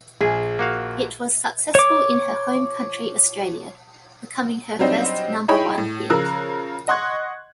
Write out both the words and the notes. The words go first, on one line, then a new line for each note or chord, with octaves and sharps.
It was successful in her home country Australia, becoming her first number-one hit.
A#1 G#4
A#3 F#4 F5
C#5 D6
F#3 G3 C4 D4 D#4
D#4 E4 G#4 C#5 G5 B5
A2
C#3 F3 A#4 E6 F#6
D#5 F#5 C6 C#6 F#6 G#6